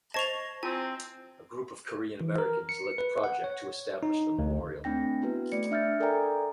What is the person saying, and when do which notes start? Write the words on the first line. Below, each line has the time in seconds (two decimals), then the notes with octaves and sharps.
A group of Korean Americans led the project to establish the Memorial.
0.14 C5 D#5 A5 C#6 G#6 A#6 F7
0.63 C4 E4 F4 G#5 E6
2.21 E3
2.38 A#4
2.69 C#7
2.98 B4
3.24 F#5
3.44 C#5
4.03 D#4
4.39 D2
4.84 A3 C4 D4 G5 A#6
5.22 B3 E4 F#4 B4
5.52 A3 D5 C#7
5.71 D4 E5 F6 G6 A6
6.00 A4 A#4 D5 G5 G#5 A#5